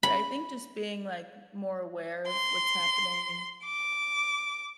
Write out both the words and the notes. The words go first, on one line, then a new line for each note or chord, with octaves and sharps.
but I think just being, like, more aware of what's happening,
B5
C6
D6